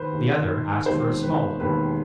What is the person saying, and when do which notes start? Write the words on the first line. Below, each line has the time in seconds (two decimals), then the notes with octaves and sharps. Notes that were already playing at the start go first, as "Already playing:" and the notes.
The other asked for a small one.
Already playing: D#2 D#3 B4 C5
0.12 D#2 D#3
0.86 E1 D#2 D#3 C5
1.23 B4
1.60 E1 D#2 D#3 B4